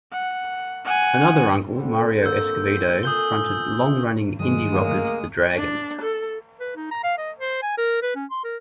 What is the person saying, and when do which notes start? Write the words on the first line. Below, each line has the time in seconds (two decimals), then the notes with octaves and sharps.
Another uncle, Mario Escovedo, fronted long-running indie rockers The Dragons.
0.12 F#5
0.85 F#5 G#5
1.76 D3 G3 C4
2.23 D3 A#3 E6 G6
3.03 F4 A4 G#5 D#6 G6 G7
4.39 D2 G2 D#3 F#3 G#3 D#6
4.73 A#3
5.56 D4
6.02 A4
6.60 B4
6.76 D#4
6.91 A#5
7.04 F5
7.18 D#5
7.40 C5
7.62 G#5
7.78 A#4
8.02 B4
8.16 C#4
8.31 C6
8.44 A#4